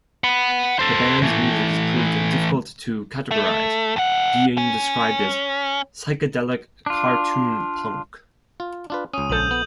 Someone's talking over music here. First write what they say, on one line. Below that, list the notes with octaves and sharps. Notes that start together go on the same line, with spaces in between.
The band's music has proved difficult to categorize, being described as "psychedelic cartoon punk".
F#5 B5
A4 C5
E3 A3
A3
F2 F#5
C#4
D4 F4
F4
D4 F4 B4
C#2 C#4 D#6 D#7
A#1 F3 A4 G6 D#7 F#7
B3 F#7